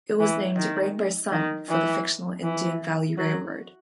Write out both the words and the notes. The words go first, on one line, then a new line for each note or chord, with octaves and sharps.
It was named "Rainbow Sun" for the fictional Indian Valley Railroad.
E3
D#3
D#3
E3
E3
F#3